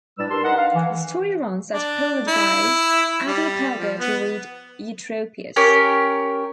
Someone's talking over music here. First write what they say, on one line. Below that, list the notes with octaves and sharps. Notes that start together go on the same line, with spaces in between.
The story runs that Paul advised Adelperga to read Eutropius.
A2 G3 D4 B4 D5 E6
D4 G4 A#4 A5 C6
D#4 A#4 B4 D#5 F#5
F5
E3
D4
E4
G3
F3
B3
C#4 G4 A#4